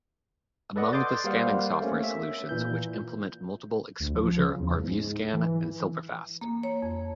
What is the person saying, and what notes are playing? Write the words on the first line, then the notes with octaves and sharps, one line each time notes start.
Among the scanning software solutions which implement multiple exposure are VueScan and SilverFast.
A4 B4 D5 D#5 F#5
C6 D6 D#6 G6 A6
G3 A#3 C5 F5 F#5
A3 A#3 C#4
E5
A#2 E3 G6
D2
F3
C#3
E2
G#2
E3
A#3
C#5
F2